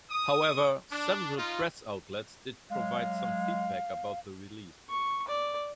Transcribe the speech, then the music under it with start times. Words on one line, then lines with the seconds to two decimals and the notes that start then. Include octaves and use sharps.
However, several press outlets did provide some feedback about the release.
0.11 D#6
0.91 D4
1.38 D#4 F4
2.70 F#3 G#3 F5
4.89 C#6
5.28 D5